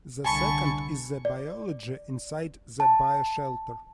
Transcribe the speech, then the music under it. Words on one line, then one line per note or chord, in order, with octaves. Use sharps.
The second is the biology inside the bioshelter.
C2 D3 G#5 A5 B5 C#6
D5
A5